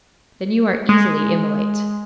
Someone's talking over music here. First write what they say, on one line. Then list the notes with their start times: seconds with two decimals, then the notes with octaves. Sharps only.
Then you are easily immolate!'
0.89 G#3